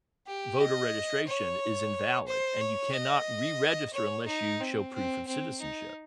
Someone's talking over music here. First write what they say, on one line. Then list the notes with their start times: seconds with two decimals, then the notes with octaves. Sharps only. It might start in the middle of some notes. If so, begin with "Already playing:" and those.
voter registration is invalid, and you cannot reregister unless you show proof of citizenship
0.27 G4
0.60 D#5
1.28 C#5
2.28 C5
2.61 C#5
2.93 D#5
3.93 C#5
4.27 D#4
4.61 C4
4.94 C4
5.27 C4
5.61 D#4